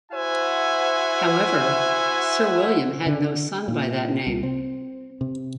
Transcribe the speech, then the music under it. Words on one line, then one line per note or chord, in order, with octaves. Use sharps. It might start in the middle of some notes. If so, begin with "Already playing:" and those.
However, Sir William had no son by that name.
E4 F#4 C5 E5 F#5 G#5
D3
A#2
C2
C4
C3